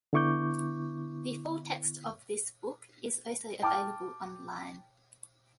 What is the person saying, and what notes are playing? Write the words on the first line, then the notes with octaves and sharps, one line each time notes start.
The full text of this book is also available online.
D3 B3 E4 C#6 D6 G6
G5 A5 D6 F6